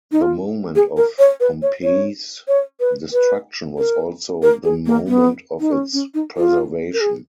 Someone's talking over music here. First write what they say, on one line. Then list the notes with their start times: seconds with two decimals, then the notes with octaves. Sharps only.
The moment of Pompeii's destruction was also the moment of its preservation.
0.12 D#4
0.22 F4
0.76 G#4
0.97 A#4
1.19 C#5
1.40 B4
1.62 C#5
1.83 C#5
2.48 C#5
2.80 B4
3.13 B4
3.78 A#4
4.42 A#4
4.64 G#4
4.86 A#3
5.07 B3
5.60 D#4
5.72 C#4
5.93 C#4
6.14 D#4
6.37 F4
6.93 A#4
7.01 G#4